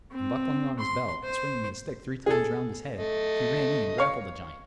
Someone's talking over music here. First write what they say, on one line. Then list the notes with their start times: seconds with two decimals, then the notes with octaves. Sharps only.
And buckling on his belt and swinging his stick three times round his head, he ran in and grappled the giant.
0.12 C4
0.79 C6
1.24 C5
2.26 G#4 A4
2.97 A3 D#5
3.98 C#5 F5